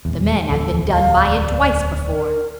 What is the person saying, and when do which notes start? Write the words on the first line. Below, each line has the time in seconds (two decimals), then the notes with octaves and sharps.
The men have been done by it twice before.
0.05 D#1 E2
0.50 D1 E2 F3 A4
0.93 F5
1.27 D5
2.12 A#4